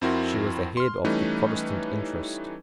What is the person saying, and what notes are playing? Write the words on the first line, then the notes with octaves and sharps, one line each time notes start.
She was the head of the Protestant interest.
F2 C4 E4 F#4 A#4 C6
C6 F6
E3 G3 A3 C#4 D#4 B4